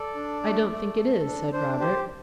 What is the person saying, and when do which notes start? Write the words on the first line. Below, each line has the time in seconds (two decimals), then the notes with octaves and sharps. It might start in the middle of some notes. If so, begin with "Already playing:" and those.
"I don't think it is," said Robert.
Already playing: A4 D5
0.15 D4
0.44 A3
0.71 A3
0.98 A4
1.26 D4
1.52 D4 C5
1.80 G4 C5